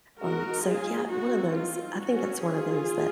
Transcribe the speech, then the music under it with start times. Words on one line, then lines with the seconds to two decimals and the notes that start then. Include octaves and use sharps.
Um, so, yeah, one of those I think that's one of those that
0.19 G#3 D#4 F#4 A#4
0.64 F4 G#4
1.10 F#3 C4 D#4 F#4
1.54 F4
1.99 F#3 C#4 F#4
2.44 F4 G#4